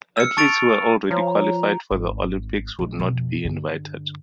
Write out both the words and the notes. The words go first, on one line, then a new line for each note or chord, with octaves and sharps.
Athletes who were already qualified for the Olympics would not be invited.
E6 F6 C#7
A5 C#6 A6 D7 F7
F3 C#5 A#5
G#1
A#1 G#3
F2 B2
G2 D3